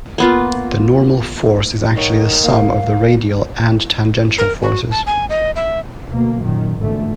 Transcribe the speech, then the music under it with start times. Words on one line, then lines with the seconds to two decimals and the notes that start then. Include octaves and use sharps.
The normal force is actually the sum of the radial and tangential forces.
0.18 A#3 B3 F4
1.96 G#2 D#3 C#5
2.43 G#2 A#3 F5
4.38 A#4
4.62 F#4
4.91 A5
5.06 G#5
5.30 D#5
5.56 E5
6.09 D2 B2 A#3
6.40 F#2 A#2 D#3
6.77 G#1 E2 A#2 D3 A3